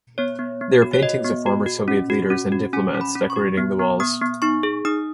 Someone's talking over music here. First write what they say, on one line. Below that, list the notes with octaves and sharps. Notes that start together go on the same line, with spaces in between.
There are paintings of former Soviet leaders and diplomats decorating the walls.
B3 C#5
B3
B3
F#4
C#5
F#4 D#5
B3
F#4
F#4
C#4
F#4
C#4
F#4
C#4 G#5
C#4
B5
C#4
C#6
F#4
B3
B3
B3 D#6
B3
D#4 C#6
G#4
D#4 D#6